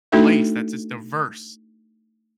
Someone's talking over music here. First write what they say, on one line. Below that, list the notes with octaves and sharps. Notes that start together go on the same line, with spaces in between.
place that's just diverse
A3 D4 D#4 F#4 A4 E5